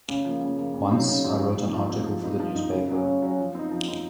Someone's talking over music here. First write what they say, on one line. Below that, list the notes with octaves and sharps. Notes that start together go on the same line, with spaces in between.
Once, I wrote an article for the newspaper.
C#3
F3 A#3
C#3
F3 A#3
C#3
F#3 C4 D#4
C#3
F#3 C4 D#4
F3
C4 D#4
F3
C4 D#4
F3
C4 D#4
F3
C4 D#4
C#3
F#3 C#4
C#3
F#3 C#4
F3
C4 D#4
F3
C4 D#4